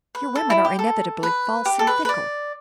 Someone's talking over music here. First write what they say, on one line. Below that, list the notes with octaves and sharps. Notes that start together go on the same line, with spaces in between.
Your women are inevitably false and fickle.
B4
A4
E4
G4
A4
B4
G4
A4
B4
B4
D5